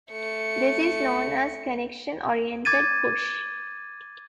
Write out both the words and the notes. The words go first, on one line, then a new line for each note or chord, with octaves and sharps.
This is known as "Connection Oriented Push".
A3 C#7
D6 G#6 A6 D#7